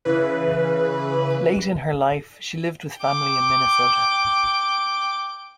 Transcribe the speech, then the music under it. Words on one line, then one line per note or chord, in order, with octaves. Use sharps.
Late in her life, she lived with family in Minnesota.
C#3 E3 B4
G5 D6